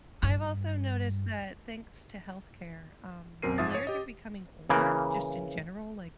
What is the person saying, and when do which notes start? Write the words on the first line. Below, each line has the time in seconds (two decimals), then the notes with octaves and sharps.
I've also noticed that- thanks to health care- um, players are becoming older, just in general, like,
0.23 G2
3.42 B1 F#2 C4 A#4 C7 D#7
3.58 G#2 F3 E5 D#6 A6
3.75 C#5
3.87 G4 D#5
4.70 C#3 E3 A#3